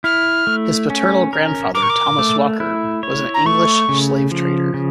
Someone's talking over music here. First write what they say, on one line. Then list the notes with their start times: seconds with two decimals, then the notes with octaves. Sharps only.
His paternal grandfather, Thomas Walker, was an English slavetrader.
0.04 E4 F6
0.47 A3
0.90 C#4
1.33 A#4
1.75 A#4 D6
1.83 C#6
1.90 D6
2.19 A3
2.60 E4
3.03 C#5
3.34 A#5
3.46 A3 C#6
3.89 C#3
4.31 F3
4.74 C#3